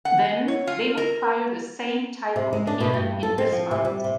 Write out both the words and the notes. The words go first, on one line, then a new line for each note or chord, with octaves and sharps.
Then they would fire the same type of cannon in response.
F#5
C#5
F4
A#4
C3
G#3
D4
B2
G2
A4
C4
F3
C3
G3
C3